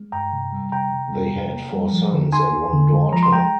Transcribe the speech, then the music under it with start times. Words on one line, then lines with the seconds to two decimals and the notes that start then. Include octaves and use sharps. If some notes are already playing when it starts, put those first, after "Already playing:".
They had four sons and one daughter.
Already playing: G#3
0.12 G2 G5 A#5
0.33 C3
0.52 G3
0.72 C3 G5 A#5
0.93 C3
1.12 G3
1.33 C3
1.53 A#3
1.73 G3
1.93 F3
2.12 D3
2.33 D#4 G#5 C6
2.53 D#4
2.73 D3
2.93 G#3
3.13 F3 A#5
3.23 C6
3.32 G#3 G5 A#5